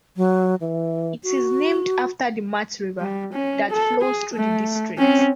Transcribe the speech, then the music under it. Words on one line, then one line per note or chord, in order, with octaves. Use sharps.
It is named after the Mat River, that flows through the district.
F#3
E3
F#4
G3
C#4
A4
G#4
A3
C4 C#4